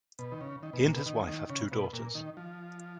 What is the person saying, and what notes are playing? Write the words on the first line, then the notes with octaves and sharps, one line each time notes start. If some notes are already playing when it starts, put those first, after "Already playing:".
He and his wife have two daughters.
B2
D#3
C#3
D#3
B2
A#2
B2
D#3
D#3
C#3
B2
A#2
D#3
F3